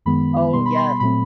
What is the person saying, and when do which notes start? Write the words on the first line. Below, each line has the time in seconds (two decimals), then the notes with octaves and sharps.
Oh, yes.
0.06 F#2 D#3 G#3 B3 B5
0.53 B2 G3 B3 C6
0.66 B5
0.76 C6
0.89 B5
1.00 A#2 F#3 A3 C4 B5